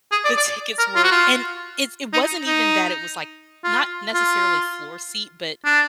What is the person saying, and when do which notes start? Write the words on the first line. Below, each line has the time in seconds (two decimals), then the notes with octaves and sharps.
the tickets were and it's it wasn't even that; it was, like, not necessarily floor seat, but
0.12 G#4
0.25 D5
0.37 D5
0.79 A#4
0.96 F4
1.04 F#4
1.11 F4
2.13 D#4
2.47 D#4
3.64 F4
4.14 F4
5.65 D4